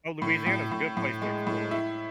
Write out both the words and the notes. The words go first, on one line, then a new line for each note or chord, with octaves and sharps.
Oh, Louisiana is a good place to explore.
A2
A2
A2
A2
G#3
A2
E4